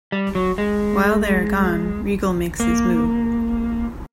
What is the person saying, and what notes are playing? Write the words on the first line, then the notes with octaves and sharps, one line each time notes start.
While they are gone, Regal makes his move.
G3
F#3
G#3
A#3